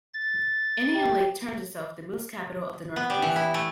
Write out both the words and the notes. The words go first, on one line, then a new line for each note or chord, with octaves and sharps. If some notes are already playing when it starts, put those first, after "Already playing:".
Indian Lake terms itself the Moose capital of the Northeast.
A6
G4
B3
G3
E3
E4
A3